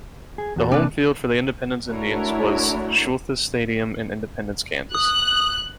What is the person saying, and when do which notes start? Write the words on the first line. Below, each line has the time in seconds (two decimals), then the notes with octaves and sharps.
The home field for the Independence Indians was Shulthis Stadium in Independence, Kansas.
0.38 G#4
0.56 E2 F#4 A4
0.71 C3 A#3 D4 B4
1.88 A3 D4 E4 F#4 A#4 C#5
4.95 D#6 F#6